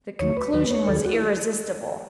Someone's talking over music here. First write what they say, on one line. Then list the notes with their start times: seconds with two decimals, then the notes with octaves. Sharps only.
The conclusion was irresistible.
0.19 D#2 D#3 F#3 C#5
0.37 B4
0.53 D#2 D#3 F#3 B4
0.70 C#5
0.87 D#2 D#3 F#3 A4
0.96 G#4
1.05 F#4
1.13 E4